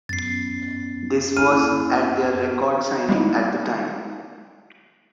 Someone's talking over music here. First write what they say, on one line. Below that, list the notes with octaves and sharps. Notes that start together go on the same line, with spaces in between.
This was at their record signing at the time.
F#2 B3 C#4 A6 C7
A#3 C#4 E4 F6 D#7
G3 G#3 A#3 D#4 E4